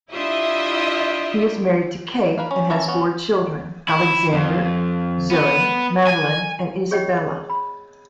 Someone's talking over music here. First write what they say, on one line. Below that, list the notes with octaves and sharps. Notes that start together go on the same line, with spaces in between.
He is married to Kate and has four children: Alexander, Zoe, Madeline and Isabella.
D4 E4 F4 G4 D#5 E5
A#4 B4 F5
C#4
C#4 A#4 E5 F5 A5
B3 C#4
E4
F2
B3
G#5
G#4 C#5 D#5 G5
B5